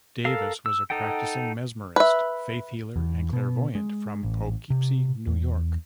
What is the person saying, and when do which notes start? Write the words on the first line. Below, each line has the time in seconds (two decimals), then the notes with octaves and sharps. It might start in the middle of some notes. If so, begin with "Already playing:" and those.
Davis was a practicing Mesmerist, faith healer and clairvoyant from Poughkeepsie, New York.
0.25 A4 A#4 F5
0.66 E6
0.90 D#4 A4 F#5 G5
1.96 B4 E5
2.96 E2
3.33 B2
3.75 G#3
4.23 A1
4.70 C3
5.27 E2